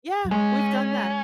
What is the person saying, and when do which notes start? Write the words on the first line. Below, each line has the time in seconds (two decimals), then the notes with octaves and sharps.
Yeah, we've done that.
0.25 F#3
0.31 G#3 C#4